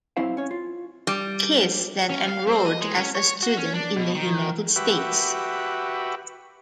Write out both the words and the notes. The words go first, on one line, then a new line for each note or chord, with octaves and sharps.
Kiss then enrolled as a student in the United States.
B1 F#3 C4 E4 C5 F5
C#4 C#5
F4
G3
C#4
F5
C4
D#5
G#3
C#4
C#5
F#4
C#4
D4
B2
D#3
F#4 G4 B4 E5